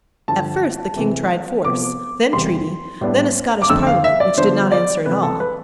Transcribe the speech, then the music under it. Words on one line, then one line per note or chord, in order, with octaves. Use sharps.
At first the King tried force, then treaty, then a Scottish Parliament which did not answer at all.
G2 D3 F3 A5
C3 E3 A3 C4
C3 F3 B3 D6
E2 C3 E3 G3 C6
A2 G3 B3 D4
D6
F2 D3 A3 E6
F5
E5
D5
D3 F3 B3 D4 C5
D5
C3 E3 A3 B4
A4
B4